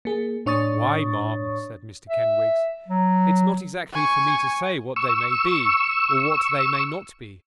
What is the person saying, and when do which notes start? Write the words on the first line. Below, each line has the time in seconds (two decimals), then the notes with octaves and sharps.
'Why, ma'am,' said Mr Kenwigs, 'it's not exactly for me to say what they may be, or what they may not be.
0.05 A#3 G#4
0.46 A2 D4 C#5 C#6 D#6 A6
2.10 E5
2.88 F#3
3.94 G#5 C#6
4.96 C#6 E6